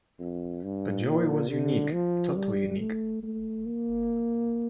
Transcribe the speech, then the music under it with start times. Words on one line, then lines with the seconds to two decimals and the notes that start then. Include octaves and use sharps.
But Joey was unique, totally unique.
0.20 F2
0.63 G2
1.06 A#2
1.49 D3
1.93 F3
2.37 G3
2.79 A3
3.23 A3
3.66 A#3